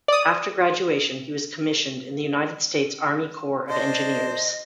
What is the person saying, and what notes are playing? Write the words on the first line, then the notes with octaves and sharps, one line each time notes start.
After graduation he was commissioned in the United States Army Corps of Engineers.
D5 D#6
D4 C5 D#5